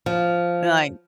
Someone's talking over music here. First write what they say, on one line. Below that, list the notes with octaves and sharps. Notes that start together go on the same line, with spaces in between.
and like
F3